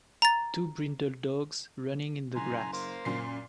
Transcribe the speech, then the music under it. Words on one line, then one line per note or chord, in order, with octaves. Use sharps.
Two brindle dogs running in the grass.
A#5 A6
F#1 G#5 A#5 C6
A#3 C5 C6
F#2 A#2 C7